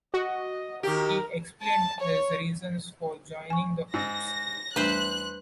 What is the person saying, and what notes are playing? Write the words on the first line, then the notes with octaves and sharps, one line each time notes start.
He explained his reasons for joining the Hoops.
F#4 D#5
D#3 G4 A#4
A5
C#5
G#5 C#6
G#2 E6 A#6
E2 G3 A3 D4 B4 C5 F#6